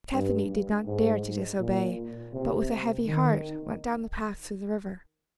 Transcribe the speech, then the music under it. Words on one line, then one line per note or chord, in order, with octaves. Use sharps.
Tephany did not dare to disobey, but with a heavy heart went down the path to the river.
G2
G#2
A#2
C3
D#3